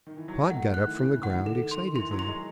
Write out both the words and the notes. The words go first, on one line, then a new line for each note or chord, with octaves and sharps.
Pod got up from the ground excitedly.
D#3
E3
F#3
G#3
A3 F#5
D#3 F#6
E3
C#3 F#6
D#3
F#5
E3
D#3 A4
D#3 C6
E3 C6
F#3
C6
G#3